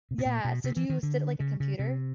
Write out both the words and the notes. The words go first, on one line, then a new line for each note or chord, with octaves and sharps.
Yeah. So do you sit at, like, a computer?
C3
B2
A#2
B2
C3
E3
D#3
D3
C#3
C#3
C3